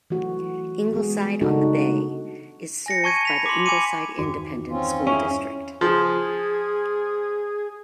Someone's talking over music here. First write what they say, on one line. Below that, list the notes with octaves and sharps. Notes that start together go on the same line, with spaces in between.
Ingleside on the Bay is served by the Ingleside Independent School District.
E3 A3 F#4
G#3 B3 G#4
C#3 A3 D4 D#4 F#4 A4
G#5 A#6 C#7
A5 C#6 G#6 D#7
B5 B6 F7
C6 D6
G#5 B5 D6 C#7 D#7
E2 G2 D#3 F#4 D6
C4 C#4 F4
C#4 E4 G#4 G#5 C#6
F3 G#4